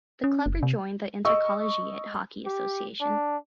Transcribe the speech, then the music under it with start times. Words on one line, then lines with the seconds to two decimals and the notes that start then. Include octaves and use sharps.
The club rejoined the Intercollegiate Hockey Association.
0.24 C#4
0.46 F#1
0.63 C3
1.25 D#5 C#6 E6
2.46 G4
3.01 D4